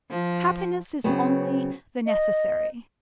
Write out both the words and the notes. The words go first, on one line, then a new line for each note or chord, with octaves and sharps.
Happiness is only the necessary.
F3
C#3 F#3 B3 C4
D#5